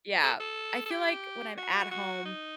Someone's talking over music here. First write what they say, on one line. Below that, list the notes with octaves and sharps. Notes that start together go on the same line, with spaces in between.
yeah, I feel like, when I'm at home
A4
A4
A4
G4
F#4
F#4
D#4